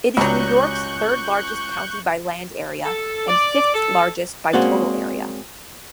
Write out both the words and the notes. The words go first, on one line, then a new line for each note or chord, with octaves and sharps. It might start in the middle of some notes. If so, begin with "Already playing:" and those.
It is New York's third-largest county by land area and fifth-largest by total area.
C#2 F#3 G3 A#5 C#6 F#6 G6
A4
D5
A4
G#3 A#3 C4 C#4 F#4 D5